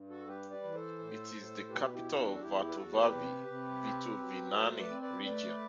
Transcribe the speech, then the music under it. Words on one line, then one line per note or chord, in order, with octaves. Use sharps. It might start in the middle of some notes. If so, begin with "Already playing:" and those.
It is the capital of Vatovavy-Fitovinany Region.
Already playing: G2
F#4 A4
G3 G4 B4
B4 D5
E3
A4 C5
A2
A2
B2 G4 B4
E4 G4
E2
D4 F#4
A4
E2 E4 G4
E4 G4
B4
E2 F#4 A4
G4 B4
C3
C3
C4
F#3
A3 A4 C5
B4 D5
C4
B4 D5
A3 B4 D5